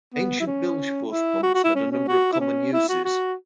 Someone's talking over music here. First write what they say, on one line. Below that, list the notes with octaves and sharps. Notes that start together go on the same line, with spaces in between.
Ancient bilge force pumps had a number of common uses.
B3
E4
C#4
E4
F#4
F#4
E4
C#4
C#4
F#4
E4
C#4
E4
F#4
F#4